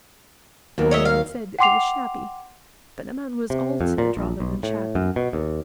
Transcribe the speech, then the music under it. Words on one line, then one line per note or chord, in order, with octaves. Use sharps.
Dolly had said that he was shabby,--but the man was altered rather than shabby.
D#2 D#3 F#3 A#4
C#5 D#5 E5
F5
F#5 G5 C6 D6 C7 F7
C3
F2
A#2
A#1
B1
A2
F#2
B2
D#2